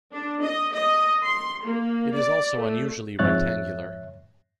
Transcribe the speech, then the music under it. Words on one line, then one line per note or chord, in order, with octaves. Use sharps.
It is also unusually rectangular.
D4
D#5
D#5
C6
A#3
D5
A3
F2 G#2 C#5 E5 F#6 A6